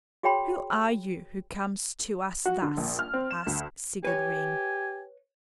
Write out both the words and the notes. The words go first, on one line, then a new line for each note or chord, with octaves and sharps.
"Who are you who comes to us thus?" asked Sigurd Ring.
F#4 G#4 C#5 G5 B5 C6
F#4
D3
A#1
F6
C4
E7
D2
G4 B4 C#5 G#5